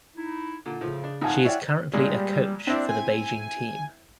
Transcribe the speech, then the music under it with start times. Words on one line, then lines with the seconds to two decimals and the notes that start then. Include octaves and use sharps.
She is currently a coach for the Beijing team.
0.15 D#4 E4
0.66 A#2 D3
0.81 A2 C#3 F3
1.04 D4
1.21 G#1 F2 A2 D#4 F5 F#5 G#5 A5
1.45 E4 C#5 D5 E5 G5
1.93 A#2 G3 G#3
2.67 C4 D4 E4
2.89 G#5